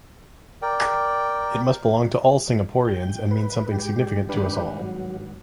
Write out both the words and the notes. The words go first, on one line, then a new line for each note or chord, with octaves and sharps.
It must belong to all Singaporeans and mean something significant to us all.
A#4 D5 G5
G5
B4
G#2 G4
G#1 G2 D4 G4 B4
F#3